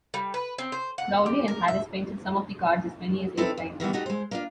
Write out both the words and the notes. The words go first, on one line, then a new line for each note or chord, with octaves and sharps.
Crowley and Harris painted some of the cards as many as eight times.
G3
B4
C4
C5
F#5
G4
A#4
E5
C4 D#4 E4 A4 B4
F2
D#3 E3 G3 B3
A3 D#4 F#4 G4
G#3 C5
A#3 D4 F4